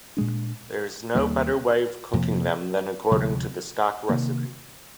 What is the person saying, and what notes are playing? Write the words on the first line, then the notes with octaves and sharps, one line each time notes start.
There is no better way of cooking them than according to the stock recipe.
A#2 G#3 D4
D#2 D#3 G3 A#3
F2 C3 F3 A#3
D2 C3 F3 G#3
C3 D#3 A#3